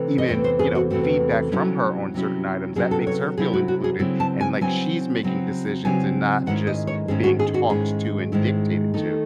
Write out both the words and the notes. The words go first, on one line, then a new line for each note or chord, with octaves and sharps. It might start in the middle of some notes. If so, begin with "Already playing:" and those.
even, you know, feedback from her on certain items that makes her feel included and, like, she's making decisions and not just being talked to and dictated to.
Already playing: C3 E3 A3 C4
D#5
E2 C3 E3 A3 C4 C#5
C5
G#4
F#4
E2 C3 E3 A3 C4 F#4
C3 F#3 C#4 E4
C3 F#3 C#4 E4
C3 F#3 C#4 E4 G#4
A4
C#5
C3 F#3 C#4 E4 G#4
F#4
F#4
G#4
C#3 F#3 C4 E4
A5
G#5
C#3 F#3 C4 E4 G#5
C#3 F#3 C4 E4
C#3 F#3 C4 E4 G#5
G#2 D#3 G#3 C#4 E4 F#5
D#5
C#5
G#2 D#3 G#3 C#4 E4 G#4
F#4
G#4
F#4
G#2 D#3 G#3 C#4 E4 G#4
G#2 D#3 G#3 C#4 E4
D#3 A3 D#4